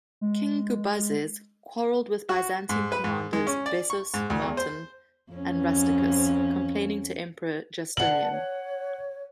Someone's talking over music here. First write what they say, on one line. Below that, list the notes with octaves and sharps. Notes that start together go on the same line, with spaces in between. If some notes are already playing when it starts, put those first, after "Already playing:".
King Gubazes quarreled with Byzantine commanders Bessas, Martin, and Rusticus, complaining to emperor Justinian.
G#3
F#4
G#2
B4
G#2
G#3
C#4
D5
C#6
G#2
D2
E2
C5
F2 C#4
B4 D5 F#5 A5 F#7
C#5